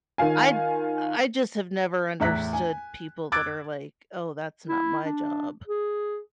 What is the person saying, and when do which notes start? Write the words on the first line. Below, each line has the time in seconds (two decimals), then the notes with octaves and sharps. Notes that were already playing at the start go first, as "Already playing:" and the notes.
I I just have never understood people that are like, "Oh, that's not my job."
0.18 D#3 F4 F5 G#5
2.20 E2 A2 E5 A#5 F#6 B6
2.53 G#5
3.32 D6 E6 F#6 G#6 A6 D7
4.69 E4
5.05 D4
5.67 G#4